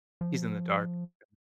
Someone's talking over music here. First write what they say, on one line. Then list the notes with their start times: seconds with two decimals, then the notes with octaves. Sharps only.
He's in the dark, yeah.
0.21 F3